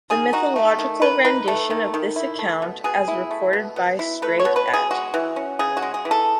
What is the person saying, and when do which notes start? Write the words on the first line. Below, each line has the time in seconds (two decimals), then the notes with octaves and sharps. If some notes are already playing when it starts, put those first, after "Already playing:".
The mythological rendition of this account as record by Straight et.
0.10 D#3 G#4
0.33 D#4 F#4
0.56 A3
0.79 D#3
1.02 D#3 B4
1.25 D#4 B4
1.48 A3 A4
1.70 D#3
1.94 D#3
2.16 E4
2.39 A3
2.62 B2
2.84 B2 G#4
3.08 E4
3.31 A3
3.53 B2
3.76 B2
3.99 E4
4.22 A3 B4
4.40 C#5
4.45 B2
4.56 B4
4.68 B2
4.74 G#4
4.91 G#3 F#4
5.14 E3
5.36 C#4
5.59 C#3 G#4
5.77 F#4
5.82 G#3
5.94 G#4
6.05 E3
6.11 A4